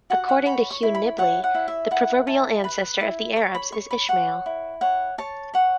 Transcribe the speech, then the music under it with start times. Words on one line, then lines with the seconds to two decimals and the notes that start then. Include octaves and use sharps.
According to Hugh Nibley, the proverbial ancestor of the Arabs is Ishmael.
0.10 F#4 F#5
0.29 F#5
0.46 C#5 B5
0.71 C#6
0.83 E4
0.95 B5
1.18 C#5 F#5
1.44 F#5
1.54 E4
1.68 E5
1.91 E4 F#5
2.27 E4 A5
2.64 B4 B5
3.01 E4
3.36 C#5 C#6
3.55 B5
3.72 C#5 C#6
3.91 B5
4.09 C#5 F#5
4.46 E4
4.81 C#5 F#5
5.18 C#5 A5
5.53 C#5 F#5